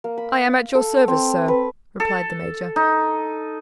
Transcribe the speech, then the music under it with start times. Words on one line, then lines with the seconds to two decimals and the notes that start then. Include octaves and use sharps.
"I am at your service, sir," replied the major.
0.04 A#3
0.18 B5
0.48 B5
0.75 A4
1.08 C4
1.48 B4
2.00 A4
2.76 D#4